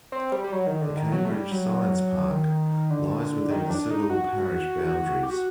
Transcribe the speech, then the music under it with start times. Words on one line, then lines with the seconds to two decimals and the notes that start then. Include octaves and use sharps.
The Cambridge Science Park lies within the civil parish boundaries.
0.12 C4
0.32 G3
0.44 G3
0.52 F#3
0.67 D#3
0.82 D3
0.97 D#3
1.12 F#3
1.25 A3
1.31 G3
1.51 F#3
2.31 D#3
2.90 D3
3.51 D#3
3.70 D4
3.90 D#4
4.10 F#4
5.23 G4
5.30 F#4